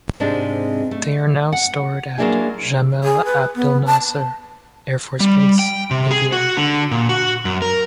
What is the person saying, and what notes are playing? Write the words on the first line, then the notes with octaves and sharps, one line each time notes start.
They are now stored at Jamal Abdelnasser Air Force Base, Libya.
G#2 C3 G#3 C4 D4
A3
F#5
F#3 G#3 A#3 D4 E4 G#4
G#4
B4
B3
A5
G3
G5
C3
G#4
F#4
D3
A#2
F#4
F#2
A#4